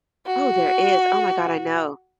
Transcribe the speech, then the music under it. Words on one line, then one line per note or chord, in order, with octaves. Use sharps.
Oh, there is oh my god, I know.
F#4